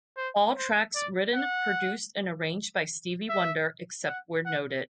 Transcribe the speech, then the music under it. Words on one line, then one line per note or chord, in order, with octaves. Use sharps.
All tracks written, produced and arranged by Stevie Wonder, except where noted.
C5
C5
D5
F#5
E5
F#5
F#5